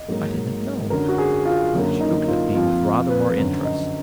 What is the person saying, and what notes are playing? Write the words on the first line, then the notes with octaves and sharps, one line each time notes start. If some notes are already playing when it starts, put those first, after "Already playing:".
"I didn't know." She looked at me with rather more interest.
Already playing: D#5
G#2 F#3 A#3
F#2 D3 F#3 A#4
F#4
G#4
F4
F#2 D3 F#3 A#3
D#4
F4
F2 F3 A#3 F4
B4
F#2 D3 F#3
D#5